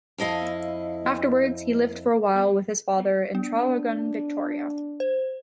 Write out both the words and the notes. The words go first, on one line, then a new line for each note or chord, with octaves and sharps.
Afterwards he lived for a while with his father in Traralgon, Victoria.
F2 E4 D#5 F5
B3 D4
C5